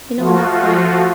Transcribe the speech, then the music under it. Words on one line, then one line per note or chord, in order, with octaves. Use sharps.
you know, and have fun."
F3 A3 F4 F#4